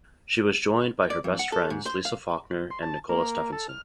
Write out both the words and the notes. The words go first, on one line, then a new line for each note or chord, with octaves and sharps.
She was joined by her best friends Lisa Faulkner and Nicola Stephenson.
D5
F2
F#5
A4
G#2
C5
F5
C6
A5
A#3
A4
F6